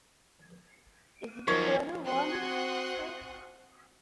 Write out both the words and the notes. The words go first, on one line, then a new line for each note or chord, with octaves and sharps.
Is it the bill you're wanting, sir?
E2 D#3 F3 F#3 C#5
C4 F#4 C6 C#6 D#6 F#6